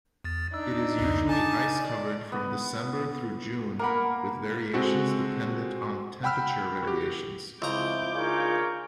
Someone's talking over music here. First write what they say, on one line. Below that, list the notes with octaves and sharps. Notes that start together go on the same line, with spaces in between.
It is usually ice-covered from December through June, with variations dependent on temperature variations.
E2 A6
D4 D#4 E6
C2 F2 G#2
G#5 A5 D6
D5
B3
A#3 A#4 F#5 B5
G#3 C4 F#4 A4
F#5 G5 B5 E6 F6
F#4 G4
C#2 F3 C4 E4 A#5 D6 G6
D4 D#4 F4 G#4 A#4 C#5